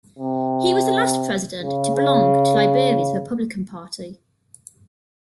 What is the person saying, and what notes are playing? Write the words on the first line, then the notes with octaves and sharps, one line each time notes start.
He was the last President to belong to Liberia's Republican Party.
C3
C#3
C#3